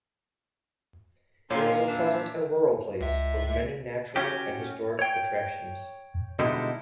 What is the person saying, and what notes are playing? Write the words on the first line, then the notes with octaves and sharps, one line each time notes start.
It is a pleasant and rural place with many natural and historic attractions.
A#2 D3 C4 C#4 F4 A#4 C#5
D4 E5
C#2 E5
C#4 F#4 G4
C#5 G5
B2 D3 G3 G#3 D#4 E4